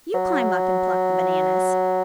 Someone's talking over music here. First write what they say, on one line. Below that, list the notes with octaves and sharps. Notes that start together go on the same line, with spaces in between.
You climb up and pluck the bananas.
F#3